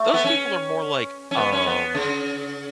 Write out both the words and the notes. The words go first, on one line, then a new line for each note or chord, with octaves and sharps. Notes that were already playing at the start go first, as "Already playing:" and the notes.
Those people are more like, um
Already playing: A3
B3
C#4
C#4
B3
C#4
B3
C#3